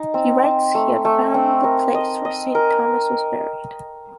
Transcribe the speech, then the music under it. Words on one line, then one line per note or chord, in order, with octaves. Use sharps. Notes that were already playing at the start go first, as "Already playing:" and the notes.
He writes he had found the place where Saint Thomas was buried.
Already playing: D#4
C4
C4
A3
A3
C4
A#4
D#5
D#5
A#4